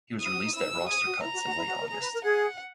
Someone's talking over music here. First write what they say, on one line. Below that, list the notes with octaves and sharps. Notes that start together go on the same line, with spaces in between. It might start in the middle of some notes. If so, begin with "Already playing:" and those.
He was released at roster cuts in late August.
E4 D#6
F#4
D#4
E4 E6
D#4
E4
F#4
G#4 D#6
F#4
E4 A#5
F#4
F#4
E4
F#4
A#4
G#4 A#5
B4
A#4
G#4 F#5